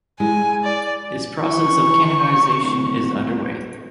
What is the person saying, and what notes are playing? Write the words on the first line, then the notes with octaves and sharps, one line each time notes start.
His process of canonization is underway.
G#3 E4 G#5
D5
E3 C#6
D1